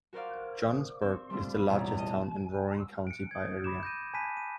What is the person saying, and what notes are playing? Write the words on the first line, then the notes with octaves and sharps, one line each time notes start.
Johnsburg is the largest town in Warren County by area.
F#4 A#4 C5 D5 F5
C4
G3 A3 D4 F4
A1 E2 B2
D#5
C#7 D7
D#6 G#6
B5 D6 E7
G6 A#6 D#7
G#5 A5 B5 F#6 B6 D#7
D#7